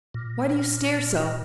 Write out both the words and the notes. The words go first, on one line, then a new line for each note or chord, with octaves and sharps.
Why do you stare so?
A#2